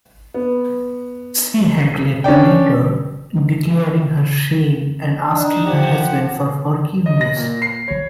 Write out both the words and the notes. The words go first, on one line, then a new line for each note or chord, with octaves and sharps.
She had left a letter declaring her shame and asking her husband for forgiveness.
B3
C#4 D4 D5 G5
D4 D#4
F3 G4 F#5
D#5
A#6
A#2
C7
C#5